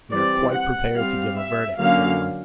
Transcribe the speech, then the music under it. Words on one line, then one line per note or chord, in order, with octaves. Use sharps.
"And we are quite prepared to give a verdict," said one.
E3 G3 C4 D5
F#5
G3 C4 F5
E5
D3 F#3 A#3 C#4 F5